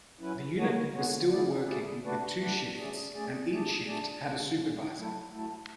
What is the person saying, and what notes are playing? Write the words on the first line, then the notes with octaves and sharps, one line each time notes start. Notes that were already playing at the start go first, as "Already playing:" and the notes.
The unit was still working with two shifts and each shift had a supervisor.
F#3 C#4 E4 B4
D3 G#3 B3 F#4 C#5
D3 G#3 B3 F#4 C#5
D3 A3 E4 G#4 D5
D3 A3 E4 G#4 D5
A3 D4 F#4 B4 D5
A3 D4 F#4 B4 D5
A3 C#4 G#4 D5
A3 C#4 G#4 D5
A3 D4 G#4 D5
A3 D4 G#4 D5
B2 G#3 C#4
B2 G#3 C#4
F#3 A3 E4 A4
F#3 A3 E4 A4